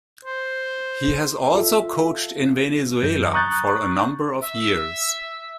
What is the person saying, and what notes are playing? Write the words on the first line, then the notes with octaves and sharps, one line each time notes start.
He has also coached in Venezuela for a number of years.
C5
F4 A4 E5
F#2 G6
A#5 C#6 D#6 F#6 G6 A6
E5